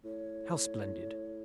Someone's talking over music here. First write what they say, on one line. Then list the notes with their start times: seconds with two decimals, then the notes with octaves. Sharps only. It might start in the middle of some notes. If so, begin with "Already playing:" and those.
"How splendid!"
0.04 A2 C#5